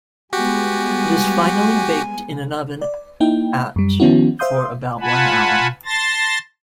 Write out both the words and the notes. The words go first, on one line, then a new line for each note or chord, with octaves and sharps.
It is finally baked in an oven at for about one hour.
G3 G#3 B3 F#4 G4 G#5
D5
A#3 D#4 E4 G5
F#2 G3
D#3 F3 B3 C#4 E4 F#4
C5 E5 F5 C6 D#6 G6
F4 F#5 G#5 A5 B5
A5 C6 A6 A#6